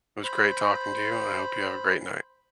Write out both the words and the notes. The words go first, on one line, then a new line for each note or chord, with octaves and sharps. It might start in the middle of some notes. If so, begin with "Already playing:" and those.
It was great talking to you, and I hope you have a great night.
C5 B5